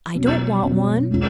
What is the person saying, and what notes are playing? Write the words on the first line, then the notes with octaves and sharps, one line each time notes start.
"I don't want one."
B2 F#3 C#4
B2 F#3 C#4
G#3 C#4 F4